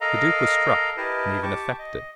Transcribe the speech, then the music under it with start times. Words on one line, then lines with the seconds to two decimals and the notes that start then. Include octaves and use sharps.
The Duke was struck, and even affected.
0.01 A4 A#4 D#5 F5 A#5
0.97 E4 G4 A#4 B4 D#5 A5
1.43 G4 A5 C#6 D6
1.79 D#5